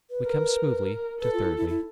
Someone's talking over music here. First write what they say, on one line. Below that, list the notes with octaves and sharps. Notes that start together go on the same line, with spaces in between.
'We come smoothly to thirdly.
B4
A#4
A4 B4
F4
E4
E4
E4